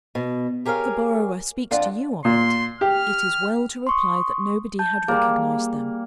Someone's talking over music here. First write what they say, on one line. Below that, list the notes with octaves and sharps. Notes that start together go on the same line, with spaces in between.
If the borrower speaks to you of it, it is well to reply that nobody had recognised them.
B2
G4 G#4 A#4 C#5 F5
F2 D4 F4 F#5
A#2 C6
G4 F6
C6 C#6 D#6
A5 G6
G3 A#3 G#4